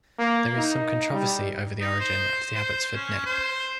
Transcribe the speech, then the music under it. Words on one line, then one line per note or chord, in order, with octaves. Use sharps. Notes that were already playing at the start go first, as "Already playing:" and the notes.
There is some controversy over the origin of the Abbotsford name.
A#3
D#4
G3
D#4
C5
C5
C#4
C5